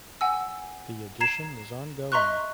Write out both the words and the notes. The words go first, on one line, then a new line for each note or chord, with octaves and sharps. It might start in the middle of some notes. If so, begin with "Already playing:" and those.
The edition is ongoing.
F#5 G#5 E6
A#5 G#6 C7 E7
D#5 E5 A#5 C6 C#6 F#6